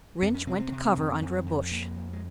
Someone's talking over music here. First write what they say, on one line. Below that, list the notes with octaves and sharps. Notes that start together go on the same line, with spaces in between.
Rynch went to cover under a bush.
F2 C4
C#4
C3 C4
C4
C3
F2
F2
F2
F2 A#3
F2
G#3